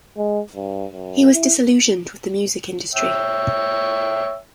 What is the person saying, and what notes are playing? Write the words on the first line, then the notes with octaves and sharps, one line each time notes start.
He was disillusioned with the music industry.
G#3
G2
F#2
E4
C#5 E5 G5